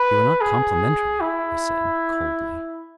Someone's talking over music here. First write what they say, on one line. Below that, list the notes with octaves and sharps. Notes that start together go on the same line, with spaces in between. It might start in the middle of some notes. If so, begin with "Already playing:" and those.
"You are not complimentary," I said coldly.
Already playing: B4
G#4
E4